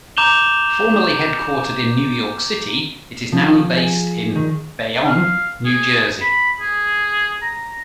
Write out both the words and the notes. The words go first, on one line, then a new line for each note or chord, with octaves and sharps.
Formerly headquartered in New York City, it is now based in Bayonne, New Jersey.
A#5 D6 G6 E7 F7 G7
F3
G#4
D#3
F5
G#4
B5
G#4
A#5